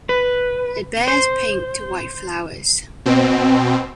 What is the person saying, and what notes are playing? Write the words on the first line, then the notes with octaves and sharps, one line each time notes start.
It bears pink to white flowers.
B4
C5
B2 C4